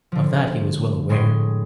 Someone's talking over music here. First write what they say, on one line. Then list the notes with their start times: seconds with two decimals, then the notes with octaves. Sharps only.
Of that he was well aware.
0.12 D3 F3
1.09 A2 G#3 C#5 C6